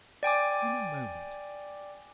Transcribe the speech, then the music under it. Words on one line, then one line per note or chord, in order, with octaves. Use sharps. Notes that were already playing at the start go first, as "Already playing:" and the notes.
"In a moment."
D5 G5 G#5 D6